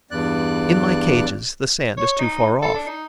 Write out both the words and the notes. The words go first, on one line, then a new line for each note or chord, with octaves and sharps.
In my cages, the sand is too far off.
E2 G2 D5 F#6
C#5
D#4
A4
D4
D#4